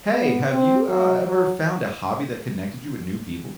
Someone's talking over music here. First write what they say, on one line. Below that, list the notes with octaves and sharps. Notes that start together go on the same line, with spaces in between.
Hey, have you, uh, ever found a hobby that connected you with new people?
B3
C4
F#3
F#3